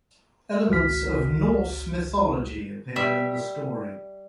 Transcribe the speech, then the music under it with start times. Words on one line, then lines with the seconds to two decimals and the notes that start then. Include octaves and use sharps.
Elements of Norse mythology appear in the story.
0.69 G#1 C#2 F#4 F6 B6
2.96 G3 E5